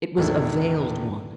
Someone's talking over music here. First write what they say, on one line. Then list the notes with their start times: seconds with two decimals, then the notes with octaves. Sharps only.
It was a veiled one.
0.17 E1 A2 D#3 D4 E4